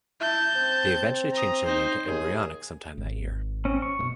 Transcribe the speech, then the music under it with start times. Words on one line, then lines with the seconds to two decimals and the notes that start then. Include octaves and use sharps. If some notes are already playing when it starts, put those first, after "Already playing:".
They eventually changed their name to Embryonic sometime that year.
0.21 E4 A5 G6
0.55 C4
1.34 A#5 D#6
1.65 D#4 C5
2.06 D#2 G#4
2.98 G#1
3.65 C4 C#4
3.82 C#6
3.99 G#2 B2